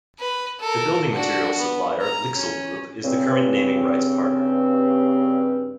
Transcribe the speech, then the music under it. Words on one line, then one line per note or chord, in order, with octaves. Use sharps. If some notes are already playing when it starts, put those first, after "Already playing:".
The building materials supplier Lixil Group is the current naming rights partner.
B4
A4 A#4
D4 F#4
B3
A#5
C#4
G2 C#3 C4